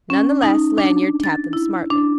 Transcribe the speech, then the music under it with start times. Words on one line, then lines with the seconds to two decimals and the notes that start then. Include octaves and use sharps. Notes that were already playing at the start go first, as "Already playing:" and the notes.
None the less, Lanyard tapped them smartly.
0.10 C#4
0.42 D#4
0.78 D4
1.24 A6
1.53 E4
1.90 D4